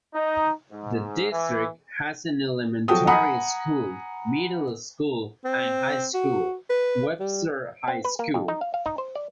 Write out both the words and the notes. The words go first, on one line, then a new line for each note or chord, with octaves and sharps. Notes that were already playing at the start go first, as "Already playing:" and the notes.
The district has an elementary school, middle school and high school, Webster High School.
D#4
G#2
E3
F3 F#3 F#4 A4 G5 D#6
F#5 G#5 A#5 B5 D#6
C4
F#4
B4
G3
C4
B4
A#3
F2
D#4
F5
F5
D#4
C5
D5